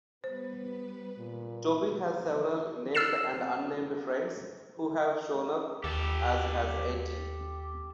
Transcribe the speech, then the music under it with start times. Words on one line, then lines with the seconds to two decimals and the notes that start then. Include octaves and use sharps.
Toby has several named and unnamed friends who've shown up, as has Eddie.
0.24 G3 B3 B4 C5
1.18 A#2
2.95 E6 F6 A6 C7 E7
5.84 D#2 G4 A4